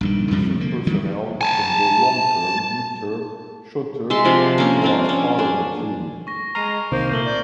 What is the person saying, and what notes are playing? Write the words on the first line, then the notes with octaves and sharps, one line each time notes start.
Mission personnel can go long-term, mid-term, short-term or as part of a team.
A#1 G2 D#3
F2 C3 F3 G3
D3 A#3
D#3 E3 F#3 G3
G#5 A5
G#3 E5 A5 C6
C3 F3 D4 C6
A#3 C#4
A#3 C4 D4
C#4
D4 G#4
C#6 A#6
G#3 A#5 F6 C7 D#7
C2 C3 D#3 A#3 C5
A#2 A3 G6 F#7 G7
D5